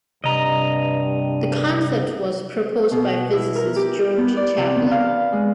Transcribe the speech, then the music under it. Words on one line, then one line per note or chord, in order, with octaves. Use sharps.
The concept was proposed by physicist George Chapline.
G2 C3 D#5 A#5
B2
E4
A#4
G4
B3
D5
C3
B3
F5
G#3